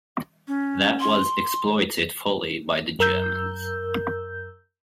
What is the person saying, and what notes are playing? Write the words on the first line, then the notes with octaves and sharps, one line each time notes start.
That was exploited fully by the Germans.
C#4
C6
F#2 A#4 E6 G6